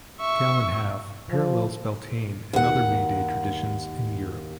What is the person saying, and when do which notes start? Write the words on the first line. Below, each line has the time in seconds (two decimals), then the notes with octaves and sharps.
Calan Haf parallels Beltane and other May Day traditions in Europe.
0.20 E5 C#6
1.30 F3
2.53 D#2 F#5